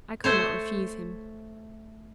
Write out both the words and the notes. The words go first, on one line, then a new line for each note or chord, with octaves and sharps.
I could not refuse him.
A3 C5 C#5